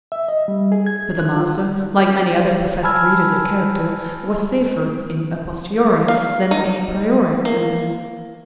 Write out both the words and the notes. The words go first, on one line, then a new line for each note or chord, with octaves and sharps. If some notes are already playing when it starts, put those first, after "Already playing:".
But the master, like many other professed readers of character, was safer in a posteriori than a priori reasoning.
E5
D#5
G3
G#4
G#6
F#6
F4
G#5 A5 B5 E6 F6 G#6
F5
D#4
A#3